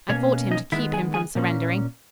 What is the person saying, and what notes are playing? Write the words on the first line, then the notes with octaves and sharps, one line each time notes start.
I fought him to keep him from surrendering.
B2 A#3 C#4 C#5
D#4 D#5
D#3 G#3 B3 E4 E5
G#4 G#5
G#4 G#5
A#2 A#3 C#4